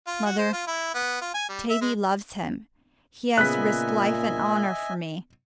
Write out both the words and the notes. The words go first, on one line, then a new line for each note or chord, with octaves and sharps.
Mother, Tavie loves him, he has risked life and honor for me.
F4
F#4
C5
F4
E4
B3
F4
G#5
G3
E5
G#3
A#2 C#3 B3 D#5 E5 G#5 F#6 B6